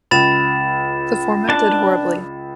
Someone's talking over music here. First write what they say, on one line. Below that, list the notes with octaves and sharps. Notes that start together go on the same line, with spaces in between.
The format did horribly.
C#2 B5 A6 E7
D4 A5